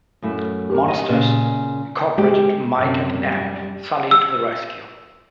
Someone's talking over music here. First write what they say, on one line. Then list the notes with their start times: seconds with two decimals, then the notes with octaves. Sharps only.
Monsters, Incorporated Mike and amp; Sulley to the Rescue!
0.22 F#2 A3 E4
0.70 G4 A#4
0.88 D#5
1.10 A#2 C#3 C#4
2.18 G#3 G4
2.78 F#2 C3
3.18 G3
4.11 E6